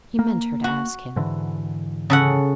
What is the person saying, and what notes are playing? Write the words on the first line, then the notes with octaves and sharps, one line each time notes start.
He meant her to ask him.
A#3
F#4
G#2 D3 E3
C#3 A4 F#5